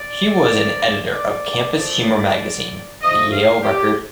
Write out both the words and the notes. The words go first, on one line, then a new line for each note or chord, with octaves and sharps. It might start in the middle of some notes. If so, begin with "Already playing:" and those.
He was an editor of campus humor magazine "The Yale Record".
Already playing: D5
D3 F3 A#3
D5
A#2 F3 A3 D5
D3 F3 A3 D#5
F5
G4